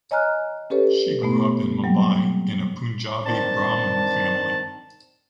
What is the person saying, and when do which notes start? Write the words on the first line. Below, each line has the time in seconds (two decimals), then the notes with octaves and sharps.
She grew up in Mumbai in a Punjabi Brahmin family.
0.11 C#5 D#5 G#5 A#5 F6 F#6
0.70 C#4 G4 A4 B4 C#5
1.22 B2 A3 B3
1.84 F#3 G3 A#3
3.25 D#3 C4 D4 A5